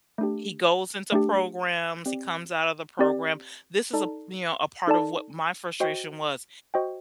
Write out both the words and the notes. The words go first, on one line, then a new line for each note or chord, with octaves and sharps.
He goes into programs. He comes out of the program. This is a, you know, a part of what my frustration was.
A3 D4 G4
A3 D4 G4
C4 G4 D5
C4 G4 D5
D#4 A4 D5 A5
D#4 A4 D5 A5
F#4 C5 D#5 G5
F#4 C5 D#5 G5